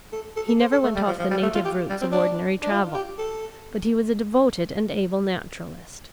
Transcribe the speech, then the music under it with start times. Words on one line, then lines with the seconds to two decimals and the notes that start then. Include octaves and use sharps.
He never went off the native routes of ordinary travel. But he was a devoted and able naturalist.
0.13 A4
0.36 A4
0.48 A4
0.60 C5
0.72 A4
0.83 A3
0.96 G3
1.07 F3
1.19 F3
1.31 G3
1.42 A3
1.55 F4
1.65 G4
1.89 G3
2.01 C4
2.12 D4
2.62 D4
2.71 F4
2.94 G4
3.18 A4